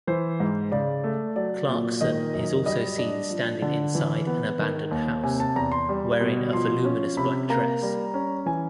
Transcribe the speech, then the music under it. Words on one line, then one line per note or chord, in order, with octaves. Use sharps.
Clarkson is also seen standing inside an abandoned house, wearing a voluminous black dress.
E3 C5
G#2
C#3 D5
A3
F#3 D5
A#2
D#3 D#5
F#2
G3 D#5
D4
F3
D3
E3
B3
D#3
D#2
C3 G#5
A5
E2 A#5
C6
G3
B2
F3 C6
C#4
C3 B5
A#3 A#5
G3
C#4
E3 G#5